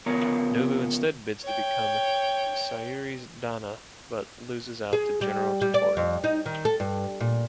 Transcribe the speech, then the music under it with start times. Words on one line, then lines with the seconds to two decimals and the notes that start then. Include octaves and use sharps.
Nobu instead bids to become Sayuri's "danna", but loses out to General Tottori.
0.06 C#3 F3 B3 A#4 C#5 A#5
1.43 C#5 G5
4.93 G#4
5.21 G3
5.62 G3
5.74 D5
5.97 F2
6.24 D#4
6.46 D#3
6.65 A4
6.80 G2
7.20 A#2